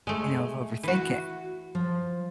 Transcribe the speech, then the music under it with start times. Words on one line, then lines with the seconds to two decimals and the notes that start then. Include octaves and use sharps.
you know, of overthinking
0.07 G#3 A3 G#5
0.83 E3 F#4
1.75 F3